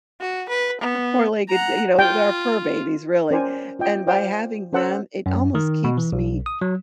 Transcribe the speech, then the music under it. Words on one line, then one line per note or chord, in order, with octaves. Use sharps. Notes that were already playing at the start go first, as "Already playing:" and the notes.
four-legged g you know, they're our fur babies, really and by having them, it almost keeps me
F#4
B4
B3
F#5 A#5
F4 G5
C#4 A#4 C5 D5 G5 G#5
F4 D#5 G5
C5 D5 F5 G5 G#5
C#4 A4 C5 F#5 A5 E6
F#2
D#3
B2
E3
B1
D#6
F#3